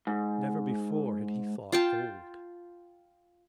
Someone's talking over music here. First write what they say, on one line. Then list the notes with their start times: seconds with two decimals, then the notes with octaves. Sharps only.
Never before had he thought old.
0.07 G#2
1.72 F4 G5 A5